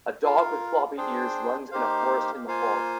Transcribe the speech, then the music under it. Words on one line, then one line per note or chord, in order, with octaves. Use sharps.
A dog with floppy ears runs in a forest in the fall.
F4 A#4 F5
D4 G#4 C5 G5
A#3 D#4 G4 C5 F5
A#3 F4 C5 F5 G#5